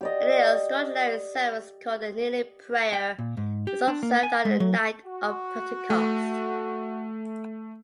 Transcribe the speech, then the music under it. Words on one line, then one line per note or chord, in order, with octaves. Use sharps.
An extraordinary service called the Kneeling Prayer, is observed on the night of Pentecost.
G4 D5 D#5
G5
A#2
G#2
G4
D4
A#3
G#5
G#3
F#3
F#4
A3